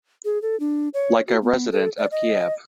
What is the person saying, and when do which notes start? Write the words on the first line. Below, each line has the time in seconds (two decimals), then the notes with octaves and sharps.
Like a resident of Kiev.
0.25 G#4
0.42 A4
0.60 D4
0.94 C#5
1.28 F#4
1.42 B3
1.72 A4
1.97 D5
2.11 D#5